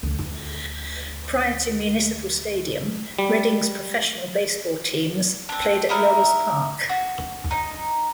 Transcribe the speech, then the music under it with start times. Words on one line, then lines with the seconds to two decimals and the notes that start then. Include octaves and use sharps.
Prior to Municipal Stadium, Reading's professional baseball teams played at Lauer's Park.
0.03 D2 D3
3.19 G3
5.49 C4 D4
5.89 D#4 E4 A#4 E5
6.89 F#4
7.51 D#4